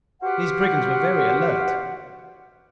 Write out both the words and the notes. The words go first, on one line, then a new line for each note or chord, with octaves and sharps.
These brigands were very alert.
F#4 G4 B4 C5 F5 F#5